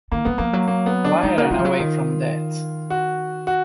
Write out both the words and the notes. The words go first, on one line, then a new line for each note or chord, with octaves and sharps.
Why run away from that?
D#3 A#3
F3 B3
F3 A#3
F#3
A#3
B3
D4
G#3 D#4
A#3 F#4
G#3 F4
F3
F#3
D#3
F#4
F#4